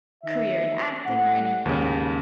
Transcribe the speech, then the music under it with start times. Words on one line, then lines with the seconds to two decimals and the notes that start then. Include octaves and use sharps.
career in acting or anything.
0.24 D#3 D#4 E5
1.06 A2 F#5
1.66 D#2 G#2 C#3